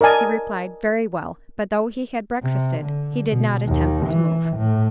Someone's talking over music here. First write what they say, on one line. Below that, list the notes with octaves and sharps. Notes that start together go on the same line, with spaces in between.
He replied, "Very well." But though he had breakfasted, he did not attempt to move.
A#4 D5 D#5 G#5 A5
C3
D3
B2
D#2
E3
A2